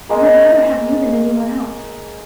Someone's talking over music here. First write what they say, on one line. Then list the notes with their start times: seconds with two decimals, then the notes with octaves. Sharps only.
And I'd rather have you than any one else.
0.09 G#3 A#3